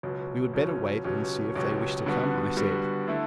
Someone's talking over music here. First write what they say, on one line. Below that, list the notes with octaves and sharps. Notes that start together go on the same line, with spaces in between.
"We would better wait and see if they wish to come," I said.
C#2 B2 F#3 C#4
C#2 B2 F#3 C#4
C#2 B2 F#3 C#4 G4
C#2 B2 F#3 C#4 G4
D3 G3 B3 F#4
D3 G3 B3 F#4
D3 A3 E4 A4